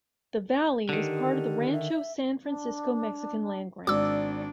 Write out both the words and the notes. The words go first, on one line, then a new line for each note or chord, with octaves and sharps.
The valley was part of the Rancho San Francisco Mexican land grant.
D3 D#3 G4
E5
D4
G#1 D4 D5 D6 E6